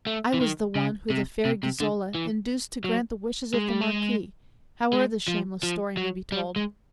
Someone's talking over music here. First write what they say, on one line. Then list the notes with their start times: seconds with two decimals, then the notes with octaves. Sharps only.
I was the one who the fair Ghisola Induced to grant the wishes of the Marquis, Howe'er the shameless story may be told.
0.07 A3
0.34 E3
0.41 D#3
0.75 C#3
1.10 C3
1.45 C3
1.63 C3
1.80 D3
2.15 E3
2.84 F#3
3.54 G#3
3.68 G3
3.81 G#3
4.93 G#3
5.28 F3
5.63 F3
5.97 F#3
6.32 G3
6.56 G#3